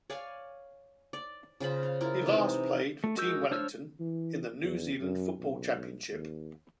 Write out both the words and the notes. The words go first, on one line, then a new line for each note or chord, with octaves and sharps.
He last played for Team Wellington in the New Zealand Football Championship.
C#5 D5 F5 G#5
D5
C#3 F4 C5 B5
F5
E4 F4 A#4
C3 E3 D#4
A3
G#3 F#4 A#4 E6 G6
D4 C5 C#5 E6 F6
E3
E2
F#2
B1
D#2